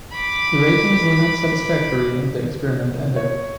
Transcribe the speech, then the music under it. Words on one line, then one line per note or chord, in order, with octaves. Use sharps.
The ratings were not satisfactory, and the experiment ended.
B5 D6
C#5